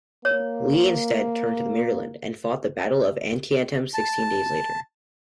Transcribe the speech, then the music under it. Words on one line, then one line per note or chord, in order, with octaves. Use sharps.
Lee instead turned to Maryland, and fought the Battle of Antietam sixteen days later.
A#3 C#5
A5